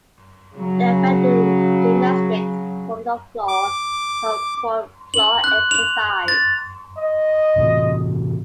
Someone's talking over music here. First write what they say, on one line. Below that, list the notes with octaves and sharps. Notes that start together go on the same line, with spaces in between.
The event in gymnastics performed on floor is called floor exercise.
C#3 F#3
D6
F#7
F#6
F7
A6
D#5
A2 C3 E3